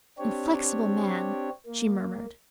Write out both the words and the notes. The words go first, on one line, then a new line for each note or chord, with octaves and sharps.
"Inflexible man!" she murmured.
C4 D4 G4 C#5
A#3